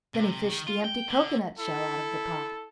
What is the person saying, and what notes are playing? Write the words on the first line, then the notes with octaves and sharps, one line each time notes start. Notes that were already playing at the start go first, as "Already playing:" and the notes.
Then he fished the empty cocoanut shell out of the pot.
C3
D#3
F4
G5
D3
E4 A4